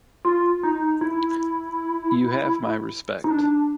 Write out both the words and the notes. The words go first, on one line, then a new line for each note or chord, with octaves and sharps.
You have my respect.
F4
D#4
E4
D#4
D4